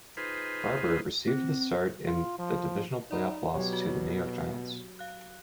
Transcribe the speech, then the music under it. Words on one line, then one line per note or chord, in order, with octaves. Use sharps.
Barber received the start in the divisional playoff loss to the New York Giants.
D#4 F4 G#4 B4 C5
C4
F4
F3
D#4 D5 A#5 B5
B2 F#3 G4 C#5
F#4
F5 F#6